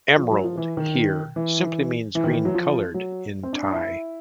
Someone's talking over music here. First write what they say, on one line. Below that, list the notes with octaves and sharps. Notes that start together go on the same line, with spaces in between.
"Emerald" here simply means "green coloured" in Thai.
F3
F#3
F3
E3
D#3
E3
E3
D#3
E3
F#3
F3
F#3
C4
D4
D4
E4